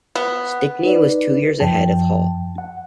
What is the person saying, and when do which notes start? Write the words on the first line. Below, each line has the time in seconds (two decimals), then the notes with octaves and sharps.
Stickney was two years ahead of Hall.
0.15 B3
0.83 D#4 B4 D5
1.60 F#2 F3 G5 A5
2.58 F#5